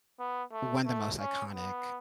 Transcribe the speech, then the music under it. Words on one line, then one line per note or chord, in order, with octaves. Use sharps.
one of the most iconic,
B3
A3
A3
C#4
B3